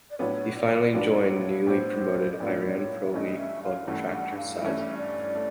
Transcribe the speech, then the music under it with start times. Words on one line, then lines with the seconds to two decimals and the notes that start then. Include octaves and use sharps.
He finally joined newly promoted Iran Pro League club Tractor Sazi.
0.11 D5
0.19 A2 F#3 B3 D4 F4 C#5
0.56 D5
0.93 A2 F#3 B3 D4 F4 D5
1.29 C#5
1.66 A2 F#3 B3 D4 F4 C5
2.33 D#5
2.40 A2 F#3 B3 D4 F4 D5
2.68 D5
2.77 C#5
3.04 E5
3.14 G2 E3 A3 C#4 D#5
3.38 E5
3.63 F5
3.87 G2 E3 A3 C#4 F#5
4.12 F#5
4.37 F5
4.61 G2 E3 A3 C#4 E5
4.98 D5
5.35 A3